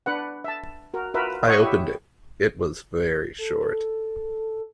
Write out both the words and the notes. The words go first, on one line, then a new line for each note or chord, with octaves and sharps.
I opened it — it was very short.
D4 B4 F#5
E5 A5
F#4 A#4
F4 F#4 A#4 B4 E5
C#5 D#5 E5 F#5 C#6 D#6
E4 G4 E5
A4